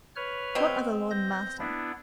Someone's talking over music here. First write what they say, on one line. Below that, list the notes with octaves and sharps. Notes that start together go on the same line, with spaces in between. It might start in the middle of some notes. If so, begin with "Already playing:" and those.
What other lord and master?
B4 C#5 F6
B2 C4
G6 A#6
B3 D4 E4